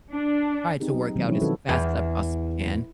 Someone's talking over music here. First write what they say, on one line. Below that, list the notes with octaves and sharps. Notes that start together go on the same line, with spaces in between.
try to work out as fast as I possibly can,
D4
C4 D#4 G4 G#4
F#3
B2 D#3 F#3 G#3 C4
F3 C#4 D#4 E4 G#4 C#5
D#3 C4 F#4 A4 B4
E2